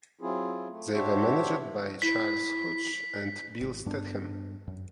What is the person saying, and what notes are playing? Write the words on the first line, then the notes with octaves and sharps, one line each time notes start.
They were managed by Charles Hodge and Bill Statham.
F#3 C4 E4 F4 G#4
A3
D4 F#4 G4 C5 C#5 E5
E4 B6
G#1
G2 B3 D4
F#2